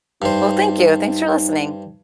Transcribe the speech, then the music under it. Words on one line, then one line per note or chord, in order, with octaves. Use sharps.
Well, thank you. Thanks for listening.
G2 D#4 C5